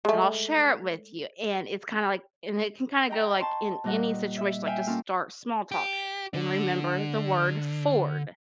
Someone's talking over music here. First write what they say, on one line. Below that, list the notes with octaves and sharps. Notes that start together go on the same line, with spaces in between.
and I'll share it with you, and it's kinda, like and it can kinda go, like, in any situation, like to start small talk and remember the word FORD
G#3 A3
D#5 G5 A#5
A5 C6 C#6
A#2 G3 D#5 F#5
E5
E5 F5 G5 G#5
A#3 C#4 F4 A4
G4
D3